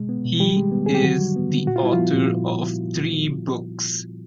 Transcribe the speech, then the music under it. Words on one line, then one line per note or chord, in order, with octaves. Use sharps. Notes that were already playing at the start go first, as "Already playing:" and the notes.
He is the author of three books.
Already playing: B2 G#3
B3
B2
D#3 G3 G4
G#3
B3
D#3 G#4
G4
D3 F#3 F#4
G3
B3
D3
A#2 F#4
F4
G3 E4
F3 F4
B3
A#2